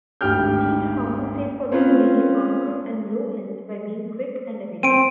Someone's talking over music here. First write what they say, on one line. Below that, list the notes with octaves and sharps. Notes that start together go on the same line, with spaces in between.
Thieves compensate for their medium armor and low health by being quick and evasive.
G#1 D2 G4 G5 F6 G6
C4 C#4 F4 B4
C4 D7 D#7